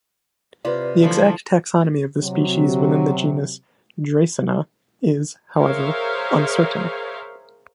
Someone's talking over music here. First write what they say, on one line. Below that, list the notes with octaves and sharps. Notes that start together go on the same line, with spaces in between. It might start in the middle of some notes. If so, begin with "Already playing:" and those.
The exact taxonomy of the species within the genus "Dreissena" is, however, uncertain.
C3 F4 B4 D5 B5
D3 E3 F3 A3
C3 F#3
G#4 A#4 C5 C#5 E5 F5